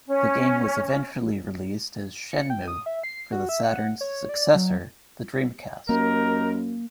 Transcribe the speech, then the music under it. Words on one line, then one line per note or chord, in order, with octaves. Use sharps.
The game was eventually released as "Shenmue" for the Saturn's successor, the Dreamcast.
C#4
C#7
G5
D#6
E5
C7
F#4
E5
F#5
C#5
D5
F#3
F#2 A#3 D#4 G4 A#4